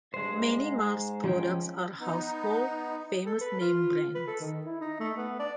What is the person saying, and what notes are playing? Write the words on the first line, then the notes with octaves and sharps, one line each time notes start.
Many Mars products are household, famous-name brands.
G2 G#3 C5
G#2
F3 C#4 G5
B3 D#4
A4
B4
F4
B4
A4
D#3
E4
D#4
A3
B3
D5